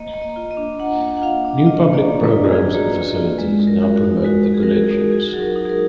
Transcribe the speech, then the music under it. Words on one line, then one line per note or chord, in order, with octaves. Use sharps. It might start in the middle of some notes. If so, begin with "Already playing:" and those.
New public programmes and facilities now promote the collections.
Already playing: A#3 D#5
A#3
D#5
F4
D#5
D4
A#3 F#5
A#3
F#5
F4 F5
D4
F4 D#5
A#3
D5
A#3
B4
F4
F#4
F4 G#4
A#3
A#3
F4
G#3
G#3
A#4
F#4
F#4
D#4
G#3 F#4
G#3
G#4
A#4
F#4 G#4
G#4
D#4
F#4 G#4
F#3
A#4
D#4
G#4
A#4